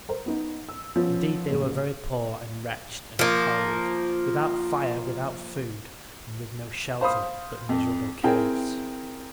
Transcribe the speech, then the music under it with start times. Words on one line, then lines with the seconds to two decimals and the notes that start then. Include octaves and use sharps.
Indeed, they were very poor and wretched and cold, without fire, without food, and with no shelter but miserable caves.
0.09 A#4 C5
0.26 B3 D#4
0.69 E6
0.96 F3 B3 C#4
1.50 A1 D#2
3.19 F3 A#3
7.01 C5 F5 B5 D#6
7.69 F2
8.23 C4 E4 G#4 A#4 G5